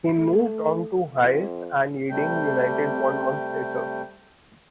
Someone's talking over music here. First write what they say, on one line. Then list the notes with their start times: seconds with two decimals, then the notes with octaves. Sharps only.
He moved on to Hayes and Yeading United one month later.
0.15 A3
1.11 F2
2.10 C3 G3 A3 G5